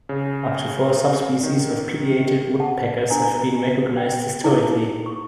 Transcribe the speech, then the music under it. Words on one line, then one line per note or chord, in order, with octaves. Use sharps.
Up to four subspecies of pileated woodpeckers have been recognized historically.
C#3
D#3
F#5 A5
D4 A#4 G#5 A#5
G5
D#4 E4 G#4
C#6